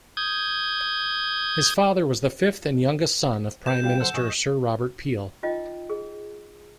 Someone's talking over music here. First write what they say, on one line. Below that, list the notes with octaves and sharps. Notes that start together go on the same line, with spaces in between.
His father was the fifth and youngest son of Prime Minister Sir Robert Peel.
D#6 G6 G#6
C3 B4 G6 E7
G3 C4 F4 G#4 F5 G5
D3 F#3 A4 C5 F#5 E6
A2 F3 D#5 G#5 C#6
D#4 F4 D#5 G5
G#4